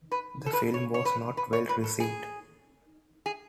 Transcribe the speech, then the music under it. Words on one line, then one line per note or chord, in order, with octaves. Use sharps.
The film was not well received.
B4
A4
B4
C#5
C#5
B4
B4
C#5
B4
A4
G#4
G#4